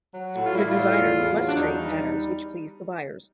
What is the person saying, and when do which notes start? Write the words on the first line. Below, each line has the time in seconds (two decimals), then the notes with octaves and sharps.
The designer must create patterns which please the buyers.
0.14 F#3
0.34 A2 F#4
0.46 F4
0.54 G3 E4
0.69 F4
0.75 A2
0.96 E2
1.17 E2
1.37 F#3
1.47 D4
1.57 E2 D#4
1.78 G3